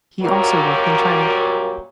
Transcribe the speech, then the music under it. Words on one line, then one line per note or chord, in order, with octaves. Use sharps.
He also worked in China.
F#2 A#2 F#3 G3 A#3 A#4